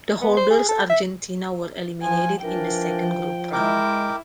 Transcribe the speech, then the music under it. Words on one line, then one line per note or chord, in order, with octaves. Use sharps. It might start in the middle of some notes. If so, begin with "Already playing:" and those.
The holders Argentina were eliminated in the second group round.
B3
C5
G#4
A4
E5
F3 G#5
E3 F3 D4 A#4 G5
G#3 E4 A#4 E5 G5 D6